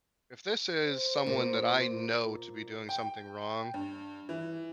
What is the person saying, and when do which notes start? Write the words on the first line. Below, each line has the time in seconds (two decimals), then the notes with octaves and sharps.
if this is someone that I know to be doing something wrong,
0.85 C5
1.26 A#2
2.89 G5
3.74 G2
4.29 E3